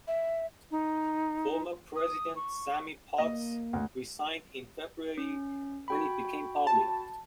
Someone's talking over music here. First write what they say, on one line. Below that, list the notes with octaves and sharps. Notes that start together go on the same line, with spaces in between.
Former President Sammie Potts resigned in February when it became public.
E5
D#4
D#6
C#6
A#3 D#5
D2
C#4
F#4 G5 B5
A5